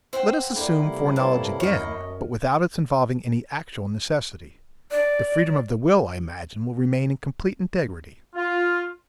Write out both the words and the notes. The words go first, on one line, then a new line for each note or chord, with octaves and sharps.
'Let us assume foreknowledge again, but without its involving any actual necessity; the freedom of the will, I imagine, will remain in complete integrity.
C5 F#5 G5 E6
A#3 E4 A4 D5
C3 G3 A3
B4 C#5 F5 A5
F#2 C#5 D#5 F6 C#7
D5
F4